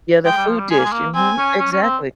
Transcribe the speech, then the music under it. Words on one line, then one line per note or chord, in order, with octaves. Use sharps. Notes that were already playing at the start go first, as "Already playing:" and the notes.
Yeah, the food dish. Mhm, exactly.
G#3 G5
G3
F3
G3
G#3 G#5
A#3
G#3
A#3
C4 G#5
C#4
C#4
C#4
C4